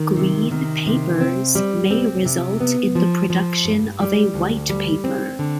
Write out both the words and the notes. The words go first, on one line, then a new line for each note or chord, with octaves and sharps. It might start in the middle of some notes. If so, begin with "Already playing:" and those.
Green papers may result in the production of a white paper.
Already playing: D#3
C3
D#3
C3
C4
G3
C4
C3
B3
F3
F3
G2
G3
D2
G3
C4
D3